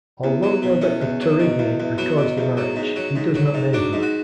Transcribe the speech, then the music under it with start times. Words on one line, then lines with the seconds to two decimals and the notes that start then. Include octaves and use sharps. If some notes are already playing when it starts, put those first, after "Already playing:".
Although Robert of Torigny records the marriage, he does not name her.
0.24 E2
0.43 F#3
0.62 B2
0.82 E2 C#4
1.02 E2
1.21 F#3
1.40 B2
1.59 E2
1.80 E2
1.98 F#3 B3
2.18 B2
2.38 E2
2.57 F#3
2.76 G#2
2.96 F#3
3.16 G#2
3.35 F#3
3.54 G#2
3.73 F#3 D4
3.93 G#2
4.03 F#4